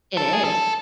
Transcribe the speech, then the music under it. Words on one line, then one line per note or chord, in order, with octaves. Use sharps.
It is.
A4
G#4
A4